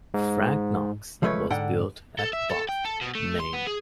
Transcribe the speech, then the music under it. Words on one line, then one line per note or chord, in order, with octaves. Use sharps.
"Frank Knox" was built at Bath, Maine.
G#2
C#2 F3 G#3 A3 B4 C#5
G#2 D3 F#5 G5
A4
E5
A4
G5
A4
B2
A3
C6
B3
G#4